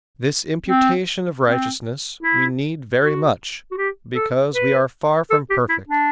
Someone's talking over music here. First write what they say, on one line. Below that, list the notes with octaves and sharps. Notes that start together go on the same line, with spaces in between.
This imputation of righteousness we need very much, because we are far from perfect.
C4
C4
E4
F#4
F#4
G4
A4
B4
A4
G4
E4
D4